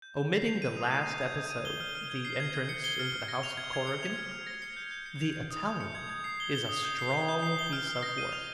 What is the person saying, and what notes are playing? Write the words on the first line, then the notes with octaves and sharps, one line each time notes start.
Omitting the last episode, the entrance into the house of Corrigan, The Italian is a strong piece of work.
G6
G6
C7
F7
D#7
D#6
G6
A#6
G#6
G#6
D#7
G7
F6
F6
G#6
C7
G#6
G#6
C#7
G7
F6
F6
A#6
F7
G#6
G#6
C#7
F7
F6
F6
A#6
C#7
G6
G6
C#7
F7
F7
D#6
G6
C#7
G#6
G#6
C7
G7
G7
D#6
G6
C7
G6
G6
C7
G7
F6
F6
A#6
D#7
F7